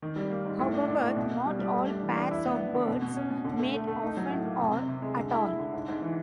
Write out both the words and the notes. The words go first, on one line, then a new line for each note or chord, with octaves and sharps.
However, not all pairs of birds mate often or at all.
D#3
G3
A#3
G#2
A2
D4
D4
A2
B2
A#3
G3
G3
A3
D4
E3
D4
E4
B3
B3
D3
B2
B2
C#4
B2
D3
A3
A3
A3
D#4
F#3
A2
A#3
C3
C3
C3
G#3
D3
E4
E4
D3
G#2
G#2
E3